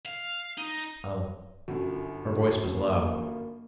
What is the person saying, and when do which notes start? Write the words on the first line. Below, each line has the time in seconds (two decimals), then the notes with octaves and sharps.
"Oh." Her voice was low.
0.06 F5
0.58 D#4
1.68 G1 F#2
2.73 A#3